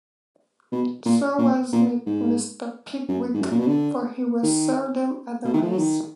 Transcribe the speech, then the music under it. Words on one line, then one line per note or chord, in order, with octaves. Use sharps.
So was Mr. Pickwick, for he was seldom otherwise.
B2
A#2
A#2
A#2
G#2
F#2
G#2
F#2
A#2
B2
D3
D#3
B2
D#3
F3
F#3
D#3